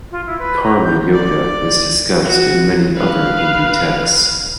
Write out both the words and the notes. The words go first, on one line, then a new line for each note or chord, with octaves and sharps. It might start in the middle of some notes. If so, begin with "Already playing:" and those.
Karma yoga is discussed in many other Hindu texts.
F4
E4
B4
A#5
G6
D5
F#4
B4 F5